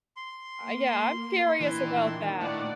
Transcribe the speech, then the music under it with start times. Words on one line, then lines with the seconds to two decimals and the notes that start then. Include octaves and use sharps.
Uh, yeah, I'm curious about that.
0.17 C6
0.63 A#3
1.61 A#2 D#3 E3 D4
2.41 A2 D5 F#5